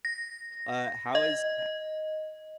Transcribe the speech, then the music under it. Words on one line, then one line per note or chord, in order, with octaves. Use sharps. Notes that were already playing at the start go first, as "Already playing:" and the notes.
uh, how is ha
A#6
D#5